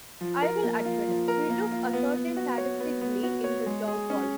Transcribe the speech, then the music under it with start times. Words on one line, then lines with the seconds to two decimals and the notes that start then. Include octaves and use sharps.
I'll admit, we took a certain sadistic glee in his downfall.
0.21 F3
0.42 A#4
0.63 A#3
0.85 F4
1.08 F3
1.28 A#4
1.50 A#3
1.71 F4
1.93 B3
2.16 B3
2.37 F#4
2.58 C#5
2.80 B3
3.01 B3
3.23 F#4
3.44 C#5
3.66 G#3
3.88 G#4
4.10 C#4